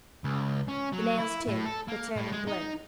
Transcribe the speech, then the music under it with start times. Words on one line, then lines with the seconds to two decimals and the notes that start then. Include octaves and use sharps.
The nails, too, were turning blue.
0.24 C#2
0.68 C#4
0.92 F#3
1.18 E4
1.48 A2
1.65 A4
1.88 A#3
2.16 A2
2.32 G#3
2.47 D#4